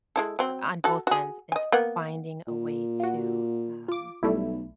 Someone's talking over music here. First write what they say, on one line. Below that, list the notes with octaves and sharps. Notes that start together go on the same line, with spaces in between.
on both ends, is finding a way to, um
G#3 E4 A4
F#3 C4
F#4 A4
F#4 G#4
D#5 G#5
A#3 B3 F#5
A#2
F4 F#4
F4 D6
B1 G3 A3 E4